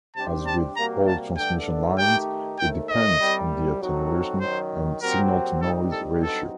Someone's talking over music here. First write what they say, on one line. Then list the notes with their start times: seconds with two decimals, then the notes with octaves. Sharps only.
As with all transmission lines, it depends on the attenuation and signal-to-noise ratio.
0.15 C3 G3 D4 G4 C5 A5
0.47 A5
0.76 C3 G3 A#3 F#4 A#5
1.07 A5
1.37 G2 D3 A3 D4 A4 G5
1.98 D#3 A3 D#4 G4 G5
2.59 D#2 D#3 A3 G5
2.90 D#5
3.20 C2 C3 G3
3.80 F#3 C4 D#4 F#4 A4
4.40 F#2 D#3 F#3 C5
5.01 A#2 F#3 C4 G4 A#4
5.61 A#2 G3 C4 D#4 G4 A4
5.92 A4
6.23 G2 F#3 C4 D#4 F#4 A4